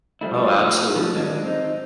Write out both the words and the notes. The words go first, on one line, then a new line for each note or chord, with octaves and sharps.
Oh, absolutely.
F3 G3 A3 E4
F3
D3 D#3 F#3 G#3 D4
C4 D#4